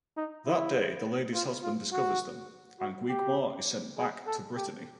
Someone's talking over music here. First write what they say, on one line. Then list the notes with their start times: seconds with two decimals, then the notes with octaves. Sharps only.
That day, the lady's husband discovers them, and Guigemar is sent back to Brittany.
0.17 D#4
0.46 E4
1.34 F4
1.63 F4
1.92 F#4
2.80 F#4
3.09 G4
3.98 G#4
4.27 A4
4.57 G4